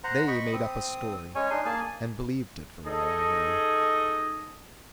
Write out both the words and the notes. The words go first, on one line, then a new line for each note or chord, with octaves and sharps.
They made up a story, and believed it for all I know.
C5 F#5 A#5
D#5 B5 C#6
C4 D#6
G#3 C#4 C#5 G#5
D4 D#4 C6
A#3 G#4 G#5 A5
D#4 G#4 A4 D#5